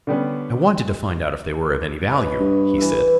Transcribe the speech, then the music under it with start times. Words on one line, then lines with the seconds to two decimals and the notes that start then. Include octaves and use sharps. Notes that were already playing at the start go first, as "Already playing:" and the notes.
"I wanted to find out if they were of any value," he said.
0.07 D3 G3 B3 C#4
2.09 B4 C#5 D#5
2.40 G2
2.78 E3 E4